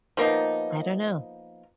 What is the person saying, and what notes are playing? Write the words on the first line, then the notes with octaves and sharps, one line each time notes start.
I don't know.
F3 A#3 B3 D#4